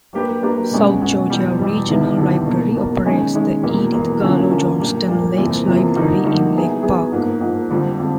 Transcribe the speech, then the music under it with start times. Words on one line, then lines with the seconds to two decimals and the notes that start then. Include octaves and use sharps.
South Georgia Regional Library operates the Edith Garlow Johnston Lakes Library in Lake Park.
0.13 F#3 A#3 D4 G4 B4
0.42 F#3 A#3 D4 G4 B4
0.71 B2 G#3 C#4 F#4
1.00 B2 G#3 C#4 F#4
1.30 E2 B2 G3
1.59 E2 B2 G3
1.88 D#2 D3 G3 B3 E4
2.17 D#2 D3 G3 B3 E4
2.46 B2 F#3 A#3
2.75 B2 F#3 A#3
3.05 D#3 G#3 C#4
3.33 D#3 G#3 C#4
3.63 E2 B2 F#3 A#3
3.92 E2 B2 F#3 A#3
4.21 D3 F#3 A#3 C#4 F4
4.50 D3 F#3 A#3 C#4 F4
4.79 A#2 G3 A#3 D4
5.08 A#2 G3 A#3 D4
5.38 E2 C3 F3 A#3
5.67 E2 C3 F3 A#3
5.96 D3 G3 A#3 D#4 F#4
6.24 D3 G3 A#3 D#4 F#4
6.54 F#3 B3 E4 G#4
6.83 F#3 B3 E4 G#4
7.12 G#2 F3 A#3
7.41 G#2 F3 A#3
7.70 F2 D3 G3 C4 F4
7.99 D3 G3 C4 F4